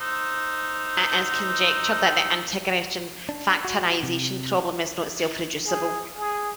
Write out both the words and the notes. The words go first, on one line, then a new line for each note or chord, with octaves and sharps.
It is conjectured that the integer factorization problem is not self-reducible.
D#4 C5 E6
D4
F#4
C3
G#4
G#4